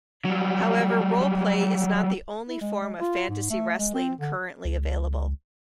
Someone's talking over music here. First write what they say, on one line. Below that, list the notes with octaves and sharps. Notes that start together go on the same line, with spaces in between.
However, roleplay is not the only form of fantasy wrestling currently available.
F#3 G3
E4
G#3
G#3
F4
G#2
A3
G#3
C4
D3
C#2